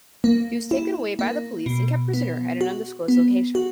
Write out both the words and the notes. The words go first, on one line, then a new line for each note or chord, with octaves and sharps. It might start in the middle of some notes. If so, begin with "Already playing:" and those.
He was taken away by the police and kept prisoner at an undisclosed location.
A#3
E4
A#3
B2
B3
F#4
B3
F#4